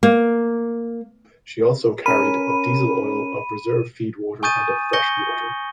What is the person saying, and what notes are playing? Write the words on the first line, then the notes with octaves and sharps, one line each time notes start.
She also carried of diesel oil, of reserve feed water and of freshwater.
A#3
C#4 A#4 B5 D#7
G#5 C#6 D#6 G6 A6 D#7
G#5 C#6 G6 A#6 C#7 G7